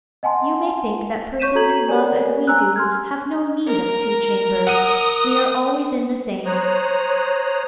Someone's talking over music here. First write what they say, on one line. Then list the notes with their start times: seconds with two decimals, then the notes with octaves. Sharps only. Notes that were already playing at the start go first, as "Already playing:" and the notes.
You may think that persons who love as we do have no need of two chambers; we are always in the same.
0.23 D#5 F#5 G#5 A5 C6
1.40 C#5 C#6 G6 B6 D#7 E7
1.55 F#4 A4 A#5 G#6 F#7
1.89 G4 A#4 C#5 D5 G#5
2.47 G#5 A#5 E6 F#6
2.76 C6 F6 G#6
3.67 A#4
4.67 F#5 D#6 D#7
6.45 C5 C#5 A#5 D#6 F#6